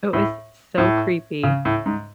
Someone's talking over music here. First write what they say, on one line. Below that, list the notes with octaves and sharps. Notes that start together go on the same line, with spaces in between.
It was so creepy,
A2
A2
C#3
A2
G#2